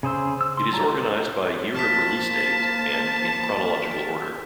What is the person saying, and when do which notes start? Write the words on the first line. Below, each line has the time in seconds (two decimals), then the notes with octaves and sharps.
It is organized by "year of release date" and in "chronological order".
0.03 C#3 G#4 C5 E6
0.41 E6
0.57 C6
0.72 F#3 G3 A5 A#5
1.75 A#3 C5 A5 F6 B6